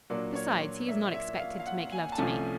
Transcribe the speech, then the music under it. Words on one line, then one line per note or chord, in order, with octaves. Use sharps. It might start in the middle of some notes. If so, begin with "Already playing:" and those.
Besides, he is not expected to make love to me.
A#2 F#3 A#3 D4 D5
C#5
E5
E5
F5
F5
F#5
G#5
A5
C2 C3 F3 A3 C#4 G#5